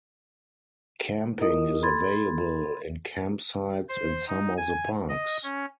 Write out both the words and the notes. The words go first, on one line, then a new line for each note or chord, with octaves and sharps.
Camping is available in campsites in some of the parks.
E4 F4 A#4 D#5 D#6
A4 B5 C6 G#6 A6
C5
D#4
G#5
D#5
C#4